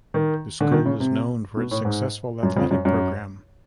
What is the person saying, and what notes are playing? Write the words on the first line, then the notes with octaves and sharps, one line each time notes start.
The school is known for its successful athletic program.
D#3
D3
D#3
C#3
C3
B2
A2
G#2
F#2
F2
F#2
F#2